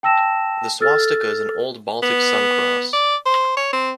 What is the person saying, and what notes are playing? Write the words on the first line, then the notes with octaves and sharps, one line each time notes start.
The swastica is an old Baltic sun cross.
G5 A5 E6 A#6 E7
A4 E6 F6 A6
B3
D5
C5
C#5
C4